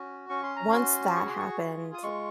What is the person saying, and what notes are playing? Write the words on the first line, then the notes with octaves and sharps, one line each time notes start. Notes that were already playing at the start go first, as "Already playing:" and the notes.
once that happened,
Already playing: C#4 F#4
C#4 C#6
C6
A#5
F#4 C6
G#4 C#6
C6
C#6
F4
D#6
G#3 C#6